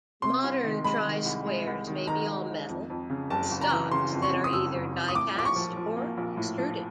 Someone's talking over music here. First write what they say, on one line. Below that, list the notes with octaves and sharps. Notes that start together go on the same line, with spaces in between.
Modern try squares may be all-metal, with stocks that are either die-cast or extruded.
C3 C6
C2
D#3
G#3 B5
D#3
C2
G#3
C2
D#3
D#3 A#5
G#3
D#3
F2
F2
C#3
F#1 A5
F#1
A#5
E3
C#3 C6
F2
C#6
F2
D#6
F#1 E6
F#1
F2
D#6
A2 D6
A#1 D6
C#6
F3
F3
A#3
A#1
A2
F3